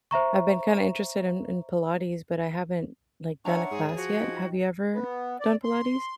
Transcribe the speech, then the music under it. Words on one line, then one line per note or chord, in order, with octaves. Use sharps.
I've been kinda interested in in Pilates, but I haven't, like, done a class yet, have you ever done Pilates?
C5 E5 A#5 C#6
D4 C#5 E5 F#5 G#5 A#5 C#6
G#2 G#4
F3 F#4 G#6
F3 D#4 G5
B3
D5
C6